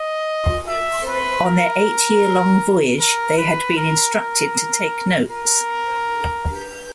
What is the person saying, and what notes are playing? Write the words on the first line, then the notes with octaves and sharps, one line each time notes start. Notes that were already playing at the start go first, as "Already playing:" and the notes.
On their eight-year-long voyage they had been instructed to take notes.
Already playing: D#5
E5
B4
A#4
A#4
B4
A#4
A#4
A#4